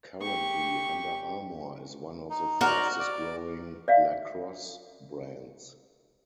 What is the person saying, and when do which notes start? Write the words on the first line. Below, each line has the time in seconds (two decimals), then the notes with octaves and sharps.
Currently Under Armour is one of the fastest growing lacrosse brands.
0.22 G4 C#6
2.30 D#4
2.61 D#4 F#4 A#4 C5 D5
3.00 D5
3.88 D5 E5 F5